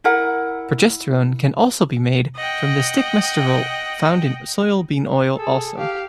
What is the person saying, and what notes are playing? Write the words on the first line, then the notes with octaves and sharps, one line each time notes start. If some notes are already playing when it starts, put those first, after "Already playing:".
Progesterone can also be made from the stigmasterol found in soybean oil also.
E4 A#4 F#5
D#5 F#5 G5
G#4 A4
G4 F5